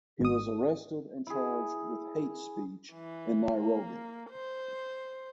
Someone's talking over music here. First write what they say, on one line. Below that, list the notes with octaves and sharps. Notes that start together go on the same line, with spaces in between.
He was arrested and charged with hate speech in Nairobi.
G#1 D#6
E4 G#4
E3
A#3
C5